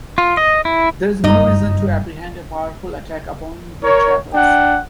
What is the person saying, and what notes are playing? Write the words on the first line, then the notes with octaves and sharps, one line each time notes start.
There is no reason to apprehend a powerful attack upon the traverse.
F4
D#5
E4
F#1 G2 D#4 D#5
A#4 C#5
D4 F#5 G5